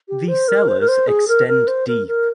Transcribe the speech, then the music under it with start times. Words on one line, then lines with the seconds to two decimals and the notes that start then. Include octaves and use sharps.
The cellars extend deep.
0.09 G4
0.28 C5
0.48 A#4
0.68 C5
0.80 A#4
0.88 C5
1.08 G#4
1.28 A#4
1.47 A#4
1.67 C5
1.88 A#4
2.07 A#4